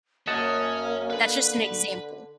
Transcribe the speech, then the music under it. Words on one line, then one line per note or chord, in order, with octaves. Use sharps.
That's just an example.
F#2 A#3 C#4 D#5 F#5 A5
D3 B4 B5